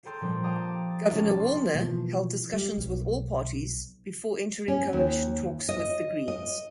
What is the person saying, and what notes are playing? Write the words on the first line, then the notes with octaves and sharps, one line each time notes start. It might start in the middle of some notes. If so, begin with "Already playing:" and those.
Governor Wallner held discussions with all parties before entering coalition talks with the Greens.
G#4 A4 G5 A#5 C6 G6
A#2 F3 G3 C4 D4
F5 G5 A5 A#5 D6 D#6
A6
B1 C3 C#4 D#4 A5
C6
B2 E3 F3 A#3
G3
B1
C#4
D#2
D#5
D#5